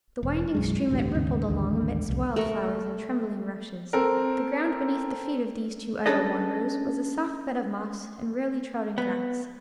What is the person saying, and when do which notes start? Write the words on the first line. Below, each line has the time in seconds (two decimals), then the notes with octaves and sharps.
The winding streamlet rippled along amidst wild flowers and trembling rushes; the ground beneath the feet of these two idle wanderers was a soft bed of moss and rarely-trodden grass.
0.23 E1
0.55 B1 F#2 G#3
0.89 A1 D2 G2
1.15 D#2 G#2 C#3
1.47 A1 D#2 D3 G#3
2.09 C2 F2
2.36 A3 A#4 C#6
3.93 C4 A4 A#4
6.06 C#4 D4 G#4 A4 B4 D#5
8.98 B3